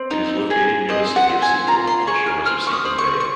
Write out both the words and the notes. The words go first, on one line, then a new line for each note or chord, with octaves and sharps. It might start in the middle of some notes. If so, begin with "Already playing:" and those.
It is located near the city of Sequim on the shores of Sequim Bay.
Already playing: C4
D#4
G#4
C4 D#5
F#5
C4
G#5
F4 A#5
C6
G#4 C#6
F6
C4 F6
C#6
D#6
C4
C#6
C#6